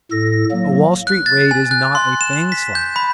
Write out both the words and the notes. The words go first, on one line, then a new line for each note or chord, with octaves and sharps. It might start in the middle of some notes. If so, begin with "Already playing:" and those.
A Wall Street raid is not a fang slash.
A2 A4 A#6
F#3 A#3
F#6
A6
G#5
F#6
C6
E7
E7
B6
G6
B5